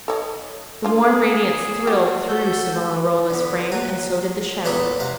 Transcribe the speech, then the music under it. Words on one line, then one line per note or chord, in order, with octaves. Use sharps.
The warm radiance thrilled through Savonarola's frame, and so did the shout.
A4 C#5 D#5
D4 F4
G#4
F#4 G4
F#4 A4 G6
D3 B3
F#3 F#4
E2 A#2 B3 A4 C#5 D6
C3 F5 F#5